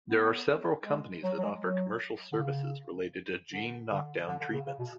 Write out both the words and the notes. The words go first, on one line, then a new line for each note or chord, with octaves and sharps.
There are several companies that offer commercial services related to gene knockdown treatments.
B3
G#3
F#3
F#3
G#3
F#3
D3
C#3
D3
D3
D3
D3
C#3
C#3
B2